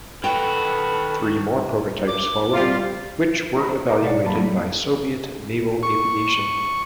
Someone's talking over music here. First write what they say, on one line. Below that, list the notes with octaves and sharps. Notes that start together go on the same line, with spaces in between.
Three more prototypes followed, which were evaluated by Soviet Naval Aviation.
D#3 F#4 A4 B4 G5
D6
G3 C4 F4
D#4 A#5 B5
C5
A#4 C5 A#5
B2 C#5 D5 F5 F#5
F#2 A#2 G3 A5 B5
F#3 G3 A3 D#4 E4
C#6